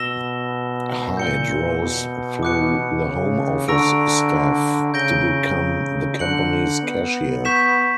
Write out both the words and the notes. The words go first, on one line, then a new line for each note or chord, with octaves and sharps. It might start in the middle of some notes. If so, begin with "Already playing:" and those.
Hyde rose through the home office staff to become the company's cashier.
Already playing: B2 E6 A#6 E7 G7
A#2 G6 C#7 G7
B2
D6 F#6 C#7
C#3
D3 A#5 C#6 E6 A#6 D7
C#3 G6 A#6 D7 G7
D3 F#6 C#7 F#7
B3
C#6 G6 B6 E7